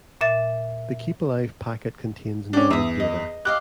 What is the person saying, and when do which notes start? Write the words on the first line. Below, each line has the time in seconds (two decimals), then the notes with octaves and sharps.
The keepalive packet contains null data.
0.21 A#2 E5 A6
2.53 C#4 D4 G4
2.70 E2 E5 D#6
3.00 D#5
3.45 G4 D#5 F5 F#6